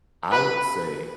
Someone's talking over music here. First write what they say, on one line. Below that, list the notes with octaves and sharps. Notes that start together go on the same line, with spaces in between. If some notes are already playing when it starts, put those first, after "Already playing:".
I would say
B4